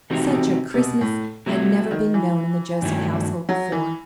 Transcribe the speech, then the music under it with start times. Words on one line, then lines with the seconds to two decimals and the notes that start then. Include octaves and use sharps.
Such a Christmas had never been known in the Joseph household before.
0.10 C3 E3 A3 C4 D#4 F#4
0.27 B2
0.33 C3
0.74 C3
0.78 B2
1.01 A2
1.46 C3 F#3 A3 E4
1.91 D#3
2.14 E3
2.82 G2 D#3 F#3 A3 E4
3.49 F#3
3.72 E3